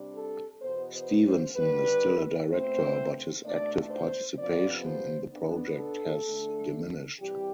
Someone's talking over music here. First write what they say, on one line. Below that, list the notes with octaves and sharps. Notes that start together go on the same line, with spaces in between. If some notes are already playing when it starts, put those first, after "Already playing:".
Stevenson is still a director, but his active participation in the project has diminished.
Already playing: C3 G3 D4
A4
E2 B2 B3 C5
C5
C5
G2 D3 G3 B4
B2 A3 C4 C5
B2 A3 D4 D5
C5
F2 C3 F3 B3 D5
C5
B2 B3 D4
A4
D3 A3 D4
C3 E3 G3 G4